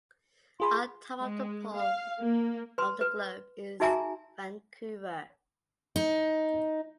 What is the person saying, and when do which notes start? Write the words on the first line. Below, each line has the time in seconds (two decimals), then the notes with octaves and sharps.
On top of the pole of the globe is Vancouver.
0.60 F4 G#4 B5 C6
1.21 G#3
1.75 F5
2.21 A#3
2.78 B4 C6
3.01 B4
3.80 D#4 F#4 G#4 E5 G#5 A#5
5.96 D#4